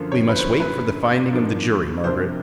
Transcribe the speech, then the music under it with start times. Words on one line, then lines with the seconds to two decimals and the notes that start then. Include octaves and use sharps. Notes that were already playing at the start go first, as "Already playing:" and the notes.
"We must wait for the finding of the jury, Margaret."
Already playing: F#2 D3 F3 A#3
0.12 C#5
0.29 B4
0.36 C5
0.60 F#2 D3 F#3 B4
1.32 G#2 F3 A#3 D4
2.04 F2 C3 F3 A#3 D4 C5